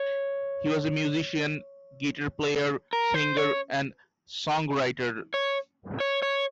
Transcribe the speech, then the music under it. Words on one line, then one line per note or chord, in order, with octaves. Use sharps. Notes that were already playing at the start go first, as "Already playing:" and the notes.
He was a musician, guitar player, singer, and songwriter.
Already playing: C#5
A#4
C5
C#5
C#5
C#5
C#5